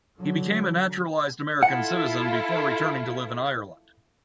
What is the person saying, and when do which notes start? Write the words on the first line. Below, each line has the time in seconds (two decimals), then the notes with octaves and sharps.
He became a naturalised American citizen before returning to live in Ireland.
0.19 D3 F#3
1.63 E4 F4 A4 F#5